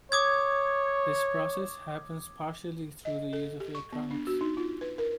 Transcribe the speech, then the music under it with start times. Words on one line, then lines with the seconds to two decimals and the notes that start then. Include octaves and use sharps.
This process happens partially through the use of electronics.
0.12 C#5 D6 D#6 G#6
3.05 D#5
3.33 A4
3.60 G4
3.75 C#6
3.92 B3
4.11 D4
4.27 F#4
4.41 D#4
4.57 F4
4.81 B4
4.98 A#4